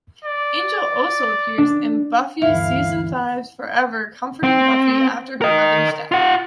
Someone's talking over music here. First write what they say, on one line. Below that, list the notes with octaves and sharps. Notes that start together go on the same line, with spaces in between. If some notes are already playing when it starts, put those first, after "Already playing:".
Angel also appears in "Buffy" season five's "Forever", comforting Buffy after her mother's death.
D5
D4
G1 D2 E3 E4 E5 F5
C4
A#4 D#5
F4 F#5